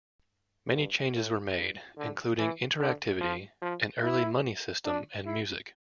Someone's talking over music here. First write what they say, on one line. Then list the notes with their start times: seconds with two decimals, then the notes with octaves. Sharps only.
Many changes were made, including interactivity, an early money system and music.
0.74 G2
1.15 A2
1.56 G2
1.97 D3
2.38 E3
2.80 D3
3.21 F3
3.62 F3
4.03 E4
4.86 D4
5.26 E4